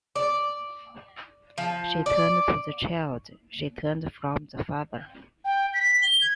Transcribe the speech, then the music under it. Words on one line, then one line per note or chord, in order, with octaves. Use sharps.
She turned to the child; she turned from the father.
D5
F3
D5
G5
B6
G7
G#6